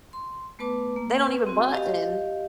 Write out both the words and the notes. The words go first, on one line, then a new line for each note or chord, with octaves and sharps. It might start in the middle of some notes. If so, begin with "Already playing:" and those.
they don't even button."
C6
A3 B3 B4 A5 D6
A#3
B4
C4 F#4
G4 D#5 F5